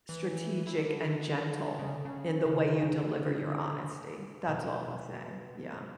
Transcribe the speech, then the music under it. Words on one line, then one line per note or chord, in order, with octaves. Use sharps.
strategic and gentle in the way you deliver your honesty, that's all I'm saying, yeah.
E3
E3
D3
C#3
D3
C#3
C#3
E3
D3
B2